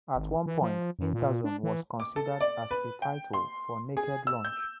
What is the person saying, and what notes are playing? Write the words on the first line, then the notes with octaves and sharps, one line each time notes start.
At one point, Interzone was considered as a title for "Naked Lunch".
G#1
E3
F3
F#2
A#2
D4
E3
D6
A4
D5
B4
G5
C6
G#4
E6
G6